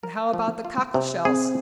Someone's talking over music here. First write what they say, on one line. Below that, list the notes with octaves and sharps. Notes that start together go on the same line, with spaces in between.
"And how about the cockle-shells?"
A#4
F3
F4
C3
C4 G#4